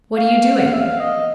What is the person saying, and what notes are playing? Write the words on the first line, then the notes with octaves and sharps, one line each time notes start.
'What are you doing?'
F5
F#5
F5
E5
F5
D#5